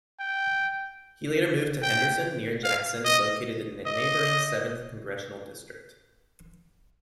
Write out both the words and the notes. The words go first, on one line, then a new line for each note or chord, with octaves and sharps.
He later moved to Henderson, near Jackson, located in the neighboring Seventh Congressional District.
G5
G5
F5
D#5
D#5